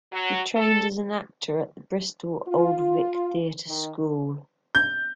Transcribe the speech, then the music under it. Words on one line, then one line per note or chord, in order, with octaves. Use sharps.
He trained as an actor at the Bristol Old Vic Theatre School.
F#3
A4
F4
D#3
G6